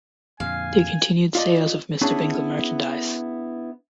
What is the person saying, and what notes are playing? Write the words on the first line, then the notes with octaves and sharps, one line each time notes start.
They continued sales of Mr. Bingle merchandise.
F2 A#2 D3 F5 G#5
F4 D5 D#5
B3 C#4 D4 E4 G#4